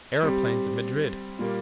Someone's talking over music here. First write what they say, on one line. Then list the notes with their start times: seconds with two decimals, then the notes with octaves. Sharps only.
Aeroplanes at Madrid!
0.23 G3 C4 G4
1.39 A#2 G3 A#3